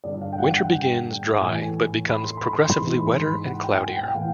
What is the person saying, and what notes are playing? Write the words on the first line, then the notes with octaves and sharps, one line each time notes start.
Winter begins dry but becomes progressively wetter and cloudier.
G2 D3 D5
F5
G5
F#5
F#5
G5
A2 E3 G#5
B5
C6
B5
C6
B5
G#2 E3 C6
B5
C6
B5
F#5
G5
G#5
F#5
G5
A2 E3 F5